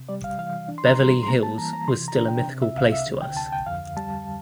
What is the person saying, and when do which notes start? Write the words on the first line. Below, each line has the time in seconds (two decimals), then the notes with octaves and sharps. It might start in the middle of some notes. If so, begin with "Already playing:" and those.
Beverly Hills was still a mythical place to us.
Already playing: C3
0.09 G3 D5
0.24 F5
0.38 E3 F5
0.68 D4
0.78 C6
0.86 A#5
0.96 G3 C6
1.23 C6
1.28 A#3 A#5
1.43 A5
1.58 E3 A#5
1.73 A#5
1.88 C3 C6
2.08 A#5
2.18 D4
2.28 G5
2.48 C3
2.62 E5
2.77 C2 F5
2.92 E5
3.07 D3
3.22 G5
3.37 D2 A5
3.52 G5
3.66 F2 F5
3.97 G3 A5